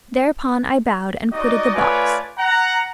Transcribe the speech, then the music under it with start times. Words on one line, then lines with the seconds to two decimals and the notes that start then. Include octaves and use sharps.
Thereupon I bowed and quitted the box.
1.32 D#4 F#4 D5 D#5
1.74 A3 F4 B4 C#5 D5 G#5
2.38 F#5 A#5